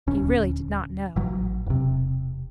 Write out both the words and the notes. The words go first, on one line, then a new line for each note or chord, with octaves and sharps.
He really did not know.
D#1 D2 C#4
A1 F#3
E1 C3